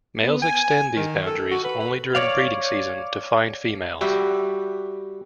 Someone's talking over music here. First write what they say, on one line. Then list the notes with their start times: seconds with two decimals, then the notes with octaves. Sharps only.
Males extend these boundaries only during breeding season, to find females.
0.24 B3
0.42 G#5
0.97 D#3
1.26 A4
1.51 F#4
1.65 B4
1.81 B4
2.15 C#5 D5 F5
4.01 G3 F#4 G4 E5